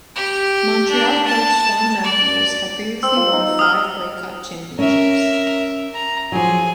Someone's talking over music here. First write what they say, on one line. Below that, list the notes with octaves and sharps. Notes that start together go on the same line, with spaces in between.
Montreal Coach Don Matthews had previously won five Grey Cup championships.
G4
D4
A5
D5
C4 E6
F3
D#4
D#6 F6
C#4 A#4 E5
A#5
F3 F#3 G#4